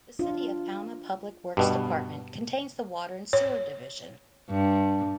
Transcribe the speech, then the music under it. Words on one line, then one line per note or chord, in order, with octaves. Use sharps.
The City of Alma Public Works Department contains the Water and Sewer Division.
D4 F4
G2 B2
C#5
G2